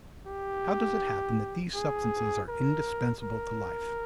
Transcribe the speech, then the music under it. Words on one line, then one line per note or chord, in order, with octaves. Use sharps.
How does it happen that these substances are indispensable to life?
G4
G#4
A#4
A#4